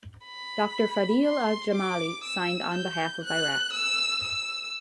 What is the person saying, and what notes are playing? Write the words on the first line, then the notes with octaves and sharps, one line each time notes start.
Doctor Fadhil Al-Jamali signed on behalf of Iraq.
B5
C6
D6
E6
G6
F#6
E6
E6